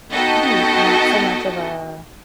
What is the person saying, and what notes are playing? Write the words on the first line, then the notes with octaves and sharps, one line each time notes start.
I don't not so much of a
B3 D#4 F#4 A4 D#5 G5